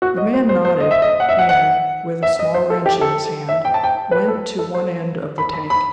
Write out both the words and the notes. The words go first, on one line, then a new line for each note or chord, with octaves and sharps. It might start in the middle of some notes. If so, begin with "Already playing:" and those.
The man nodded, and, with a small wrench in his hand, went to one end of the tank.
F#4
D#5
C5
C5
C5
D#5
E5
D#5
F#5
E5
F#5
F#5
E5
D#5
C5
A4
G4
A4
E5
G5
A5
G5
B4
A4
A4
C5
B5
B5
B5